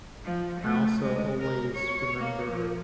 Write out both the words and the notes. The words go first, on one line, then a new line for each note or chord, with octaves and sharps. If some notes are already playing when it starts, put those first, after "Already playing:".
I also always remember,
F3
A3
G#3
A#4
C#5
A#3
F3